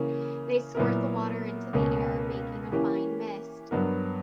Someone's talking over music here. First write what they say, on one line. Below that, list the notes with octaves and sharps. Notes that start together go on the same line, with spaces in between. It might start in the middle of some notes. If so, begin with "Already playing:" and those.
They squirt the water into the air, making a fine mist.
Already playing: C#3 E3 A#3 C#4
A#2 F#3 B3 E4 A#4
C#2 B2 A#3 C#4
E3 A#3 C#4 G4
G2 F#3 B3 F#4 A#4